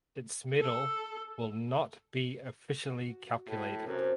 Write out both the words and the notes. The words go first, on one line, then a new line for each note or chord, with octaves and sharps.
Its medal will not be officially calculated.
A4
F#4
A2
F#2 C3